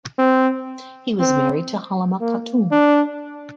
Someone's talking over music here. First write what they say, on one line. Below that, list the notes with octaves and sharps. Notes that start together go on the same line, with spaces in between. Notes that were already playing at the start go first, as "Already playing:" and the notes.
He was married to Halima Khatun.
C4
C4
A#3
D4